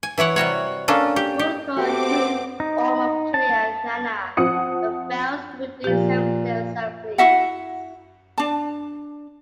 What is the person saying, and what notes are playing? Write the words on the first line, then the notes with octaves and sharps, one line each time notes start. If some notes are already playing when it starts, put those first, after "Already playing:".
Vulko accuses Orm of killing Atlanna, but fails to produce evidence and flees.
G#5
E3 E4 C#5 F#5
C3 G3 F#4 C#5
A#3 C#4 D4 A4
G4
G4
A3 B3 C4 F#4 G4 D6
D#4
A5
F3 C4 F#5 D#6 C#7
A#2 F3 G4
E4 F#4 E5 F#5
D4 A5